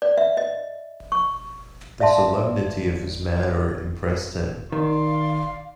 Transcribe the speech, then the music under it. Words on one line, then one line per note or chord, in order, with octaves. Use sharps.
The solemnity of his manner impressed him.
D5
E5
D#5
C#6
D5 E5 F5 A5 C6
D#3 D5 F5 C6